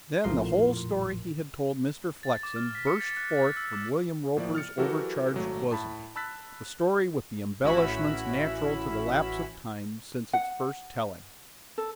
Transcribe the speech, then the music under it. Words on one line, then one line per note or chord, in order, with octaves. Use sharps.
Then the whole story he had told Mr. Flexen burst forth from William Roper's overcharged bosom, the story with the embellishments natural to the lapse of time since its first telling.
A#1 F2 A2 F3 A#4 C6
A6
D6
F6
B6
C#7
A6
F#6
A6
E6
D6
A2 F3 A#3 D5
F6 A6 C#7
E3 F#3 F#4 G4 A4 A#4
G#1 F#3 A3
A2 A5 B5
A5 B5 E6 F#6 A6 B6
A1 C#4 E4 F#4 B5 E6
F#5
A4